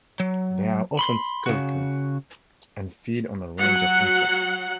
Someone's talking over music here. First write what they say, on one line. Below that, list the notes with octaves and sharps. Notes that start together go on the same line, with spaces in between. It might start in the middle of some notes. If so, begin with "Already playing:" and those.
They are often skulking, and feed on a range of insects.
F#3
B5 C6
C#3 F#4
F#3 F#5